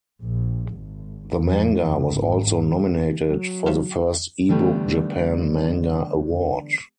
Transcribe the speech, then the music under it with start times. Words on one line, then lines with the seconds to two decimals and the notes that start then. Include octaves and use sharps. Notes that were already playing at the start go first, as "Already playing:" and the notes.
The manga was also nominated for the first Ebook Japan manga award.
0.21 A#1
0.73 G#1
1.39 F2
2.13 G#1
3.28 F#3
3.66 C#3 F3 A3
4.49 D3 E3 G3 A3 B3